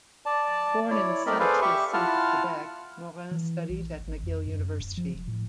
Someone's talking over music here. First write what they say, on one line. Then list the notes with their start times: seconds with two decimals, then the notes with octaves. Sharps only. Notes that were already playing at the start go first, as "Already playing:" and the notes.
Born in Saint-Hyacinthe, Quebec, Morin studied at McGill University.
0.26 D5 A5
0.90 E4 C#5 D5
1.26 A3 C4 A#4 D5 D#5 B5
1.40 G#4 A4 B4 C5 D5 F5
1.62 G4 E5 C#6
1.93 E4 F4 F#5 A5 F6
3.31 E3
3.70 A#1
4.00 G#1
4.23 F2
4.48 F#2
4.80 D1
4.97 F3
5.14 E1
5.28 A2